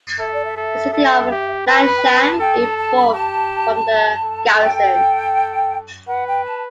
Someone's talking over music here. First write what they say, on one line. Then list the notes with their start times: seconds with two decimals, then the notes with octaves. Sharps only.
The city of Liangshan evolved from the garrison.
0.19 A4 E5
0.33 D5
0.45 E5
0.56 A4
0.93 A4
1.31 G4
1.67 B4 A5
1.85 B5
1.98 G5
2.03 A5
2.21 A5
2.40 A4 G5
2.59 A5
2.77 A5
2.95 B5
3.13 G4 A5
4.24 A4
4.62 G5
6.08 B4 F#5
6.27 G5
6.45 A5